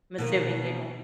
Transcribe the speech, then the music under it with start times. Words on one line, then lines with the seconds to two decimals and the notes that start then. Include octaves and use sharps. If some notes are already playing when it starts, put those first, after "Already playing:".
I'm assuming you don't
0.18 B2 D#3 A#3